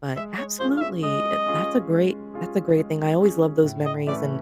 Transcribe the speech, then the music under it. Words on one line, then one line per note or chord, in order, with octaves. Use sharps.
But, absolutely, i that's a great that's a great thing, I always love those memories, and
G#3 E5
C#5
C#4 F4 G#4 C5
F5
E5
G#3 D#5
C#4 F4 G#4
G#3
C#4 F4 G#4
G#3
C#4 F4 G#4
A2
D#5
E3 A3 C#4 E4 D5